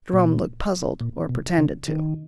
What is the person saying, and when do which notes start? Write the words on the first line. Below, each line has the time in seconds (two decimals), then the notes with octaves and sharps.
Jerome looked puzzled, or pretended to.
0.13 A#2
1.01 A#2
1.29 B2
1.58 C#3
1.88 D#3